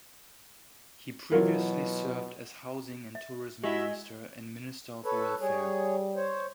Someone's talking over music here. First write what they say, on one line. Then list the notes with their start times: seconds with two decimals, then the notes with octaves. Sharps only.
He previously served as housing and tourism minister and minister of welfare.
1.32 B2 E3 F#3 F4 A#4 C#5 F5
3.15 E5
3.64 G#3 E4 F#4 G4 E5
5.05 A4 B4 C#5
5.41 G3 G#4 C#5
6.16 C5 C#5